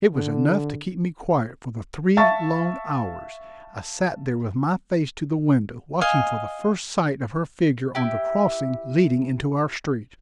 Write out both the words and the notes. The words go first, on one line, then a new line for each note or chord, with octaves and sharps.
It was enough to keep me quiet for the three long hours I sat there with my face to the window, watching for the first sight of her figure on the crossing leading into our street.
D3
E5 F5 A5 C#6 A6
D#5 F5 G#5
E4 G4